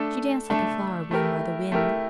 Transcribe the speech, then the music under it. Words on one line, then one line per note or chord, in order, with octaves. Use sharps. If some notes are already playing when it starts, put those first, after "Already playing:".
She danced like a flower blown by the wind.
Already playing: A3 D4 A4
A3 D4 A4
A3 E4 G4 A#4
A3 E4 G4 A#4